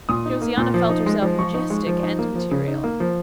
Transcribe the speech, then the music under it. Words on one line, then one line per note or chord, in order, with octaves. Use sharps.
Josiana felt herself majestic and material.
A#2 D#6
D#4
A#3
A#2
F3
D#4
G#3
F3
F3 C#6
D#4
G#3
F3
D#4
A#3
F3
C#3
D#4
A#3
F3